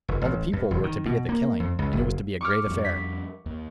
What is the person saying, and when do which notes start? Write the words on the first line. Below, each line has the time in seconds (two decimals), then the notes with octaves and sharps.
All the people were to be at the killing, and it was to be a great affair.
0.08 F1
0.22 A1
0.53 G2
0.71 E1
0.84 D#3
1.06 B2
1.29 A#3
1.60 F2
1.79 C#2
1.93 F#1
2.41 C#6 D6 F6
2.67 F2 G3
2.85 B6
3.46 D#2